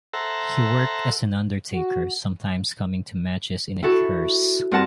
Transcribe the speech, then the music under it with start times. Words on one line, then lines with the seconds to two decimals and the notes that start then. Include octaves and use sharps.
He worked as an undertaker, sometimes coming to matches in a hearse.
0.13 A4 C5 E5 F#5 A#5
1.73 F#4
3.83 E4 F#4 A4
4.71 G2 C4 A#4 F#5 A5